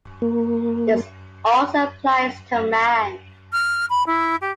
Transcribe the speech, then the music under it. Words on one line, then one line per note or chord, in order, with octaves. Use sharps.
This also applies to man.
A#3
F6
B5
E4
G4